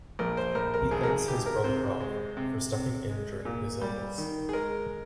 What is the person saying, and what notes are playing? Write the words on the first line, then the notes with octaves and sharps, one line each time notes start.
He thanks his brother Ralph for stepping in during his illness.
A#1 A#4
C5
A#1 A#4
A#4
G#1 G#4
A#4
G#4
G#1 G4
A#4
C3 C5
G#3
C3
C3
G#3
A#2
G3
D#3
G#4
G#3 A#4